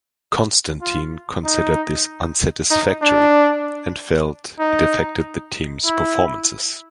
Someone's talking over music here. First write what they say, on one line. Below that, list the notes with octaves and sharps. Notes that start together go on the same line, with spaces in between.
Constantine considered this unsatisfactory, and felt it affected the team's performances.
F4
D#4
D#4
D4
D#4
E4